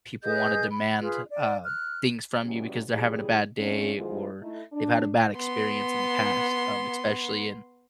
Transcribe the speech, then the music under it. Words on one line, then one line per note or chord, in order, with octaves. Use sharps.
people wanna demand, uh, things from you because they're having a bad day or they've had a bad experience in the past, um, especially in,
G#4 B4 D#5 G6
B5
F4 G#4 B4
D5
F6 F#6
F#2 A#2 C#3 E3 G3 G#3
A#2 C#3 E3 G3 G#3 G#4
A#2 A3 C4 C#4
G#2 B2 E3 G#3 F4 C5
A3 D#4 E4
D4
B3 C6